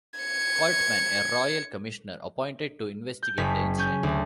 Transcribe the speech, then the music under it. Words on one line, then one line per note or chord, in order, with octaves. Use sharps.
Coltman, a Royal Commissioner appointed to investigate the incident.
G#6 C#7
G6
F#1 C#4 B6
C#4 G6
D2